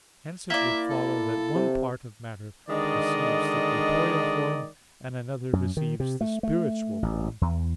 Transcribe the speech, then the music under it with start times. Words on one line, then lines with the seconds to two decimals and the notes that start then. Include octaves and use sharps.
Hence it would follow that one part of matter receives the corporeal form, and another receives the spiritual form.
0.50 A#3 E4 D5 E5
0.90 A4
1.55 C3
2.68 D3 D#3 G#3 D5 D#5
5.53 F#2
5.77 D#3
6.00 C3
6.21 A3
6.43 A3
7.03 A1
7.41 E2